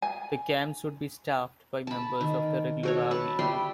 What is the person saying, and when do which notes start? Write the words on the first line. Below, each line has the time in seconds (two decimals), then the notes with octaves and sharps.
The camps would be staffed by members of the regular army.
0.02 G#5
1.87 A5 B5
2.21 D#3
2.83 F#4 A4 C#5
3.11 B4 A5
3.39 G3 E5 G5 C6